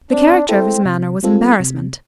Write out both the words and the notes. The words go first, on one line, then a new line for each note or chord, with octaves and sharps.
The character of his manner was embarrassment.
C4 D4
C4 E4 A4
C3
G3 C4 F4 A4
C3